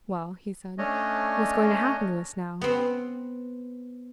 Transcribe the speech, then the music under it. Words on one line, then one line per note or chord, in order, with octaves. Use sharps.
"Well," he said, "what's going to happen to us now?"
A3 C#4 D4 C#5 D#5
B3 C4